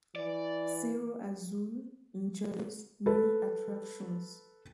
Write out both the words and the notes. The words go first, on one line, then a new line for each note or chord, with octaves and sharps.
Cerro Azul enjoys many attractions.
E3 D5
A4 B4